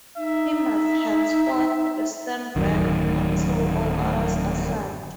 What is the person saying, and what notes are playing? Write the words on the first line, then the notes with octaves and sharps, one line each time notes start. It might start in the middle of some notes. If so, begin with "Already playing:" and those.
He must henceforth stand back until all others are served.
D#4 E5
D1 F#2 D#3